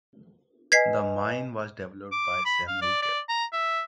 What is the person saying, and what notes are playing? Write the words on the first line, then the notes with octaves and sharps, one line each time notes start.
The mine was developed by Samuel Gebo.
B4 D#5 G#5 G#6 B6 C7
D6
B5
F5
D5
D5
A#5
E5